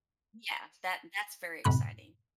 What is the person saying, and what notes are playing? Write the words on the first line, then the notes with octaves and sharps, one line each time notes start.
Yeah, that that's very exciting.
F#2 A2 C3 B5 F#6